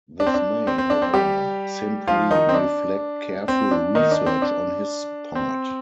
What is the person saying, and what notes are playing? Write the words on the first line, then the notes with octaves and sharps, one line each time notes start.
This may, however, simply reflect careful research on his part.
D4
C4
D4
C4
C4
D4
C4
G3 G4
F3 F4
D#3 D#4
C4
D4
C4
D4
D#3 D#4
D4
C4
D4
C4